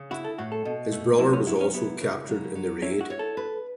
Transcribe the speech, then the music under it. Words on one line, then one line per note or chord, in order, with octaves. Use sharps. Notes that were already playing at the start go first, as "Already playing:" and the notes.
His brother was also captured in the raid.
Already playing: C#3
E4 F#4
A4
A2 F#4
A4
B2
A3
F#3 E4
C#4
F#3 E4
C#4
B3 E4
C#3
F#3
F#3
C#4 E4
F#4
C#5
A4
B4